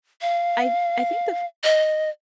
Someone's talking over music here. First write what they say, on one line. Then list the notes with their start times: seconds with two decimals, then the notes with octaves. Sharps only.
I I think the f
0.21 F5
1.63 D#5